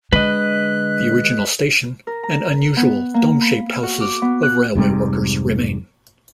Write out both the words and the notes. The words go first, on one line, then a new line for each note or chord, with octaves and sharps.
The original station and unusual dome-shaped houses of railway workers remain.
D3 G#3 B4 D#5 F#6
A#4
A#5
B3
A#3
B5
F6
F#4
D6
B3
F#6
F1 G#2 C3 G3